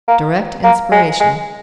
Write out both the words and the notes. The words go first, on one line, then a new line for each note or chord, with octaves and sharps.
"Direct inspiration."
A#3
A#3
G#3
G#3